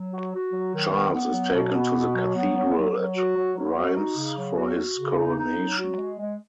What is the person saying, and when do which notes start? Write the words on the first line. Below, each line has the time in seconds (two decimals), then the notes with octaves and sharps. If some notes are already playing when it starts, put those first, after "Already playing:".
Charles is taken to the Cathedral at Reims for his coronation.
Already playing: F#3
0.13 F#4
0.33 F#4
0.53 F#3
0.73 D#3
0.93 B3
1.14 B3
1.34 F#3
1.54 B2
1.74 B3
1.95 B2
2.14 F#3
2.35 B3
2.55 F#3
2.76 F#3
2.96 F#3
3.15 F#4
3.36 F#3
3.55 F#3
3.76 F#4
3.95 D#4
4.16 C#3
4.37 F#3
4.56 F#4
4.77 F#4
4.97 C#3
5.17 D#4
5.37 D#4
5.57 F#3
5.78 F#4
5.98 G#3
6.18 G#3